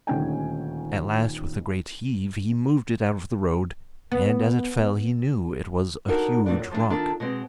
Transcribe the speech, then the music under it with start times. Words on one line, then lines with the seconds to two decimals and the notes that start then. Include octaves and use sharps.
At last with a great heave he moved it out of the road, and as it fell he knew it was a huge rock.
0.07 D#1 D2 D#3 C#4 G5 G#5
4.12 B3
6.08 D4 D#4 F#4 A4 A#4
6.46 E2 A#2 G3 A3 D4
6.59 F#2
6.71 F3 A3 A#3 D4
6.90 D#3 D4 F4 A4 A5
7.20 B2 G#3 C4